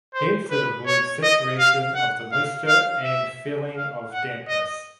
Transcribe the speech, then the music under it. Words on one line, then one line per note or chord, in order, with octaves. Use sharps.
Hence it avoids saturation of the moisture and feeling of dampness.
C5
B4
C#5
D#5
F5
F#5
F5
F5
E5
F5
F#5
D#5